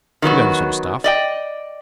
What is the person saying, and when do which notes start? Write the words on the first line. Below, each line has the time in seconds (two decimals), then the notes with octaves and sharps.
You know the sort of stuff.
0.22 D#3 F#3 B3 F#4
1.04 D5 D#5 G5